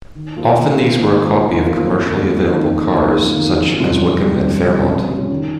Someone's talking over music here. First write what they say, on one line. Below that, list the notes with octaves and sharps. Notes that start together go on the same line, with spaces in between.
Often these were a copy of commercially available cars, such as Wickham and Fairmont.
D#3
A#3 F4 C5
D#3
A#3 F4 C5
D#3
A#3 F4 C5
D#3
A#3 F4 C5
F2
D#3 A#3 D#4
F2
D#3 A#3 D#4
F2
D#3 A#3 D#4
F2
D#3 A#3 D#4
F2
C3 G3 C#4 F4
F2
C3 G3 C#4 F4
F2
C3 G3 C#4 F4
F2
C3 G3 C#4 F4
D#3